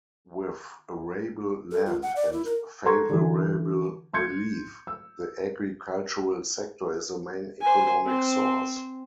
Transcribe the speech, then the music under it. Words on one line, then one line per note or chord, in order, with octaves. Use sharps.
With arable land and favourable relief, the agricultural sector is the main economic source.
A4
F4
F#5
D5
E4
A#4
A4 F#5 A#5 C6 C#6 G#6
D3 E3
C6 G6 G#6 C#7
E6
C5 G#5
C4 C5